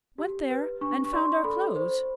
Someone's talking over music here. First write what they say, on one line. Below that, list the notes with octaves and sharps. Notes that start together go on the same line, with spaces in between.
Went there and found our clothes.
G4
B4
D4 C#6
C#6
D5 C6
A4 B5
C5